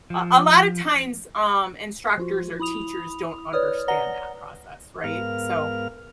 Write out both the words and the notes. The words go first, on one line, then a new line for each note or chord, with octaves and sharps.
uh, a lot of times, um, instructors or teachers don't understand that process, right? So,
F3
F3 F4 F#4
E4 B5 D#6 F7
B4 C#5 D5 D#6 F6
B4 D5 F#5 A#5 A#6 G7
G#2 B3 A#4 F5 F6